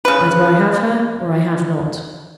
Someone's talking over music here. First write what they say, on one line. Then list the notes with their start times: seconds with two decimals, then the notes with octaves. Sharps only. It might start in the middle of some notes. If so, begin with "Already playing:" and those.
Either I have her, or I have not.
0.05 C#3 B4